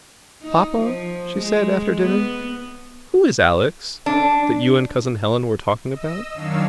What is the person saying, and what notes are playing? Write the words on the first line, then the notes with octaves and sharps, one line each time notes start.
"Papa," she said, after dinner, "who is Alex, that you and Cousin Helen were talking about?"
D#4
F3
G#3
B3
D4
D#5 E6
F#2 D#3 D4 C#5 F5 E6